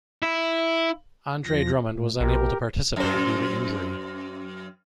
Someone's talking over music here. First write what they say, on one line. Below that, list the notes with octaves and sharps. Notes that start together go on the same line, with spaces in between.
Andre Drummond was unable to participate due to injury.
E4
E2 F3 A#6
A2
A#1 G4 A#4
F#2 C5